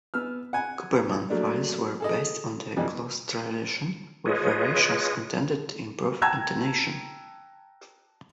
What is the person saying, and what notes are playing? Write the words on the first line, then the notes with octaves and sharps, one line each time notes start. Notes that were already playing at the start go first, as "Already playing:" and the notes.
Cooperman fifes were based on the Cloos tradition, with variations intended to improve intonation.
B3 E6 F6
F#5 G#5
F#3 A3 A#3 D4
G#4 A4 D#5
F2 B2 E3 G3
F4 G#4 B4 C#5 D#5
F#5 G5 A5 A#5 E6 G#6